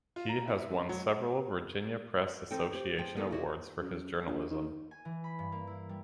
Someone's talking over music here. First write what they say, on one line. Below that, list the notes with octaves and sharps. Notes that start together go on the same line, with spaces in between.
He has won several Virginia Press Association awards for his journalism.
F4
A#5
E4
F#2
F#3
F3 C4 D#4 A4 G5
G4 C5
F3 G5
B3 D#4 A4 A#4
E4 F#4 G4
F#2
A#1
D#3
G#5
E3
B5
G2
A#3
E4
G3